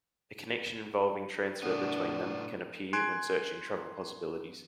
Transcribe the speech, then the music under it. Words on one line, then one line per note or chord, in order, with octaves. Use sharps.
A connection involving transfer between them can appear when searching travel possibilities.
A2 B3 D4
G#5 C6 F#6 G#6 D7